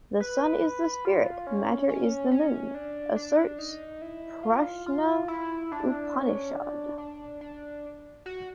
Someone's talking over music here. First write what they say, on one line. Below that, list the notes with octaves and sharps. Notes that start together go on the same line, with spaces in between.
The sun is the spirit, matter is the moon, asserts Prashna Upanishad.
B4
F4
C#4
C#4
C#4
D4
D4
D#4
E4
F4
F4
E4
D4
C#4
D4
D4
D4
F#4